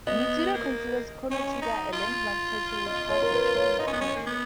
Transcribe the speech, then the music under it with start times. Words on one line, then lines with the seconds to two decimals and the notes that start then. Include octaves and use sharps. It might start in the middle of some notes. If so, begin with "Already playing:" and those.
Mitsuda considers "Chrono Trigger" a landmark title which helped mature his talent.
0.07 B3 D#5
0.54 A#3
1.31 C#4
1.62 D#4
1.93 F4
2.86 D#5
3.09 C#5
3.22 A#4
3.33 B4
3.56 C#5
3.79 D#4 D#5
3.87 C#4
3.93 B3
4.01 C#4
4.16 A#3
4.26 B3